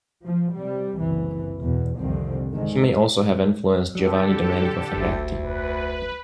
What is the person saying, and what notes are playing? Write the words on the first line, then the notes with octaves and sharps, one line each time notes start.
He may also have influenced Giovanni Domenico Ferretti.
F3
C3 G3
F#1 C2 E3
E2 B2
C2 F2 D3 D#3 F3 C4
G#2 D3 D#3 G#3
D3 F#3 G4 A4
G1 D2
F1 B4